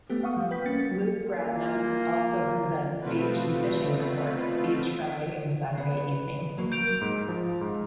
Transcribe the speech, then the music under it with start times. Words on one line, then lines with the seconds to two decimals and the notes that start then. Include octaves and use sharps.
Luke Bradnam also presents Beach and Fishing reports each Friday and Saturday evening.
0.10 A3 B3 G4
0.23 F5 F#5 C#6 D#6
0.37 F3 G3
0.51 B4 G5 G6 B6
0.65 A#3 C#4 A6 C#7
1.26 A#3 F4
3.01 B2 A3 C4 F4 B4
5.77 B3
6.58 F#3 A#3
6.72 G6 D7 F7
7.01 G#2
7.28 F3
7.61 G#2